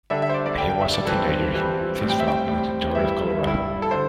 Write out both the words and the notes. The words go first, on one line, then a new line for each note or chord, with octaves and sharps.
When he was a teenager he moved with his family to Turret, Colorado.
D3 G3 D4 E5
E5
C5
D5
D5
D3 G3 D4 G5
G5
E5
D5
G2 E3 G3 C4 A4
G2 E3 G3 C4
A2 G3 C4
G5
E5
G5
A2 G3 C4
G2 G3 E4 E5
G2 G3 E4
A4
D3 C5